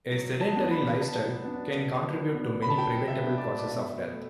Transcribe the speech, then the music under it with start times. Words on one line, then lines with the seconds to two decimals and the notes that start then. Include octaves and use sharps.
A sedentary lifestyle can contribute to many preventable causes of death.
0.11 F#3
0.41 A5
0.56 B3 D4
0.71 B5
1.00 F#3 A5
1.44 B3 D4
1.89 F#3
2.34 B3 D4
2.62 B5
2.70 A5
2.78 F#3 G5
3.08 E5
3.23 B3 D4
3.38 D5
3.59 D5
3.68 B2 E5
4.12 A3